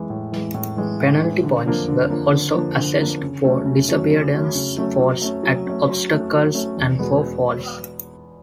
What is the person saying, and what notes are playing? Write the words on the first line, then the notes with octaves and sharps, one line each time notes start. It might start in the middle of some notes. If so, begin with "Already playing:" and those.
Penalty points were also assessed for disobedience faults at obstacles and for falls.
Already playing: E3 G#3
A2
E3 G#3
A2
E3 G#3
A2
E3 G#3
D3
F3 A#3 D4
D3
F3 A#3 D4
D3
F3 A#3 D4
D3
F3 A#3 D4
C#3
F#3 A3 C#4
C#3
F#3 A3 C#4
C#3
F#3 A3 C#4
C#3
F#3 A3 C#4
F#3
A3 C#4
F#3
A3 C#4
F#3
A3 C#4
F#3
A3 C#4
E2
B2 G#3 B3